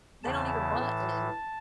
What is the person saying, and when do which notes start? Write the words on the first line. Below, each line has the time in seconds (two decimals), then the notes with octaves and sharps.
they don't even button."
0.23 E2 C#3 E3 A5
0.77 A2 E3